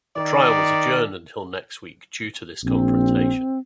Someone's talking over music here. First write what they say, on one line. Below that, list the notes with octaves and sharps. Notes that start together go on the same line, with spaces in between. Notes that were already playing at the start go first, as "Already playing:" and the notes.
The trial was adjourned until next week due this confrontation.
D#3 D5
A#1 C4